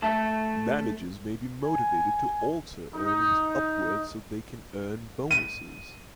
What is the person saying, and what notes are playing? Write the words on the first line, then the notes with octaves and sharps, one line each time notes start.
Managers may be motivated to alter earnings upward so they can earn bonuses.
A3 A4
G#5
D#4
D#7